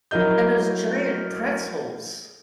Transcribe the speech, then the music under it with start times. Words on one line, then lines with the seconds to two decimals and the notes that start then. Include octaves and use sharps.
And those giant pretzels.
0.11 F#3 E4 A#4 D#5 G6